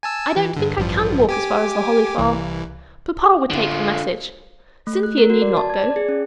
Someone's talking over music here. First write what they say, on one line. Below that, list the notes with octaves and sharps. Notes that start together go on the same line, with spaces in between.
"I don't think I can walk as far as the Holly Farm; papa would take the message; Cynthia need not go."
G#5 A5 E6
E3
G2 D3
A1 G2 F3
G4 G#5 D6
C2 E3
D3 F4
A3
F#6
A#4
F#4
D5
A5
G#6
D5
G#4
C#4